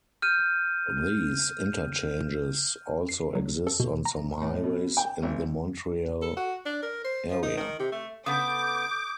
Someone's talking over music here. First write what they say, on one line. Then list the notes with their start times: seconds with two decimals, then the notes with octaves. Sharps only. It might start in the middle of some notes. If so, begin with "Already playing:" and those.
These interchanges also exist on some highways in the Montreal area.
0.22 F6 G6 D#7
3.09 C7
3.35 F#3
3.67 A4
3.80 B2
4.05 A#5
4.42 A2
4.64 B2
4.97 G5
5.23 G#1
6.22 A4
6.37 F#4
6.65 D4
6.83 A#4
7.04 C5
7.31 F3
7.43 D#4
7.57 D#3
7.80 C3
7.92 A3
8.26 C#3 B3 A4 D6 D#6 G6